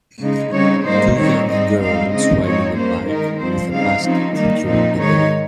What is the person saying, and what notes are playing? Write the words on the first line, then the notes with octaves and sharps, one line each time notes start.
Two young girls riding a bike with a basket during the day.
C#3 G#3 D#4
C#3 G3 C4 D#4 C#5
G#2 G3 A#3 D#4 C5
D#3 G3 C4 D#4 C#5
G#2 G3 C4 D#4 D#5
G#2 G3 C4 D#4 F5
C#3 G#3 C4 D#4 D#5
G#2 F3 C4 D#4 C#5
G2 G3 A#3 C#4 C5
D#3 G#3 D#4 A#4
G2 F3 C4 C5
C#3 G3 C4 D#4 F5
C#3 F3 C4 D#4
D#3 G3 A#3 D#4
A#2 F3 C4 D#4
G#2 D#3 G#3 D#4 C#5